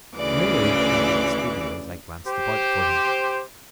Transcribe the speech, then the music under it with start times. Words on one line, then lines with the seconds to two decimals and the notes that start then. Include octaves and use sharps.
Millard entered the studio as I glanced about for him.
0.17 D2 C#3 E3 D5 D6
2.27 G4 C5